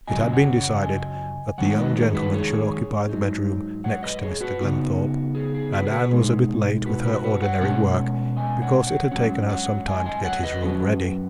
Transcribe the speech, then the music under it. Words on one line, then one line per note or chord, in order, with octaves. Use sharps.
It had been decided that the young gentleman should occupy the bedroom next to Mr. Glenthorpe, and Ann was a bit late with her ordinary work because it had taken her some time to get his room ready.
F#2 C#3 F#3 D#5 G#5
C#5 F#5
C#5 F#5
D#5 G#5
F#2 D#3 G#3 D#4 C#5 F#5
F#5
B4 D#5
G#4 C#5
F#4 B4
G#4 C#5
G#2 F#3 D#4
C#5 F#5
B4 D#5
G#4 C#5
F#4 B4
C#3 B3 D#4 F#4
G#4
G#4
F#4 B4
G#4
F#4 B4
B2 G#3 D#4 G#4
F#4 B4
F#4 B4
F#4 B4
C#5 F#5
B2 G#3 C#4 C#5 F#5
D#5 G#5
C#5 F#5
D#5
C#5 F#5
G#2 D#3 F#3 C#4 C#5 F#5
C#5 F#5
D#5 G#5
D#5 G#5
C#5 F#5
B4 D#5
F#2 F#3 C#4 F#4 B4